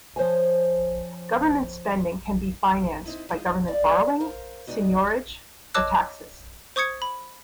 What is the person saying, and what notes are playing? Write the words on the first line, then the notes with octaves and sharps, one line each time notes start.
Government spending can be financed by government borrowing, seigniorage, or taxes.
F3 C5 C#5 G#5
C4 D#4 E4
F3 G#3 D#4
G3 D5 D#5 F5
A#4 C5 F5
G3 G#3 B3 D4 D#4 F#4
C#5 D#5 A5 D6 E6 F#6
C5 C#6 D#6 G#6 C#7
B5